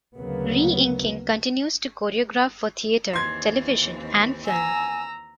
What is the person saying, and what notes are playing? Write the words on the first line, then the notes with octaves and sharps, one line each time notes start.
Reinking continues to choreograph for theatre, television, and film.
D2 C#3 F#3 A#3 B3
D#2 E3 C4 C6 G#6
G#5 A#5 E6